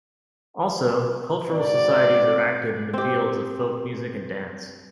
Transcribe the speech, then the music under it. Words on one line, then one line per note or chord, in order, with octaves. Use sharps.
Also, cultural societies are active in the fields of folk music and dance.
G#2 C4 F#4 D5
C4 G4